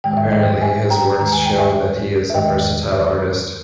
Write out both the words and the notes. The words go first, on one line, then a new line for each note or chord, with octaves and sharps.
Apparently, his works show that he is a versatile artist.
G#2 D#3 G#3 G5
E5
D#5 G5
E5 G#5
G5 A#5
D#2 D#3 G#3 A#5
G#5
G5
E5 G#5
E5
E2 D#3 G#3 D#5 G5
C#5 E5